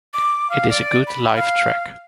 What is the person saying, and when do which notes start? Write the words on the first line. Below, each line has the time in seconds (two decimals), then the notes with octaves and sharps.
It is a good live track.
0.13 D6
0.50 F5
0.70 D5
1.07 B5
1.36 F5